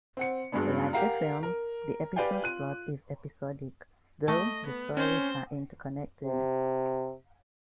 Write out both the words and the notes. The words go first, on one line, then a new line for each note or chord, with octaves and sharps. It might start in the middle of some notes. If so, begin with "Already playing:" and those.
Like the film, the episode's plot is episodic, though the stories are interconnected.
C4 F#5 C#7
G2 F#3 G#3 B3 D4
G4 A#4 F5 F#5 A#5
A#4
G4 B4 D5 F5 G5 G#5
F4 F#6 D#7
A3 D#5
B3
C4 C#4 C5
C3